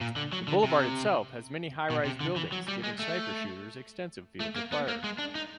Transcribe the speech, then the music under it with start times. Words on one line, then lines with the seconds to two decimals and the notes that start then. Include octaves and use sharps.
The boulevard itself has many high-rise buildings giving sniper shooters extensive fields of fire.
0.01 A#2
0.16 D3
0.33 F#3
0.48 D3
0.64 C3
1.90 B2
2.05 C3
2.21 D3
2.36 E3
2.52 F#3
2.68 G3
2.84 G#3
2.99 A3
4.40 A3
4.56 A#3
4.72 B3
4.88 A#3
5.04 G#3
5.19 D4
5.35 D#4